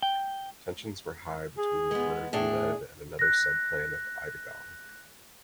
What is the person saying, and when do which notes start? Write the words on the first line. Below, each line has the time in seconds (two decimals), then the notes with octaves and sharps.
Tensions were high between the Rer Guled and another subclan of Eidagale.
0.03 G5
1.58 G#4
1.91 G#3 B3
2.33 A2 D4 G#4
3.19 F#6 A#6